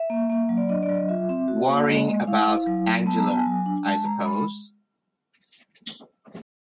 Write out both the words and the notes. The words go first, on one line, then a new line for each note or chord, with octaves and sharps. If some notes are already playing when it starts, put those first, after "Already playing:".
Worrying about Angela, I suppose?
Already playing: E5
A#3
A#3
F#3
D5
D4 D#5
D5
F#3
D#5
F4 E5
C4
F#4
A#3
G#3 D#5
G#3
E4 F5
E4
F#3
F#3
B3 A5
A#5
B3 A5
G#5
F#3
D4
G#3 A5
G#3 A#5
G#3 B5